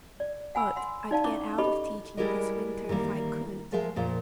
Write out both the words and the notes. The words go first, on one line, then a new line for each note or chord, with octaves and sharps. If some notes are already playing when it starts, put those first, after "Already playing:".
But I'd get out of teaching this winter if I could.
D5
F#5 G#5 B5 E6
F#5 C6
D#4 D5 F5 A5
C#4 E4 C#6 D6
G4 A4 D#5 B5 C#6
G3 G#3 E4 G4 A#4 D#5
D#3 E3 G3 A#3
F3 G#3 A#4 C5 E5 A5
F2 A#2 F3 C5